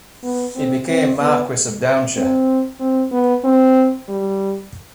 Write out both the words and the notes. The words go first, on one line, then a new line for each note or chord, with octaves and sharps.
He became Marquess of Downshire.
B3
C4
C4
B3
C4
C4
B3
C4
G3